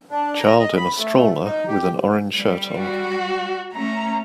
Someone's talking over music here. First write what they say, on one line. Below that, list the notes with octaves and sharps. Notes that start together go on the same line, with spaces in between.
Child in a stroller with an orange shirt on.
D4
A#5
D#5
B5
A3
D#4
G4
G3
F#4
A3 C#4 A#5